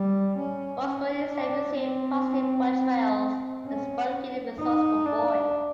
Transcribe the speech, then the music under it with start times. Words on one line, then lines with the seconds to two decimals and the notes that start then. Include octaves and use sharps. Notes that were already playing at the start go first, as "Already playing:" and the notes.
Bosko instead received positive portrayals as a spunky and resourceful boy.
Already playing: G3
0.38 C#4
0.85 C#4
1.32 D4
1.78 C4
3.66 C#4
4.59 D#4
5.06 D4